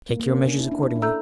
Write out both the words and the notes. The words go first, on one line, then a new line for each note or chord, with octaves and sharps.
Take your measures accordingly.
A#3
A#3
C#4
D4
E4
D4
E4
D4
A4 E5 A#5 E6 G6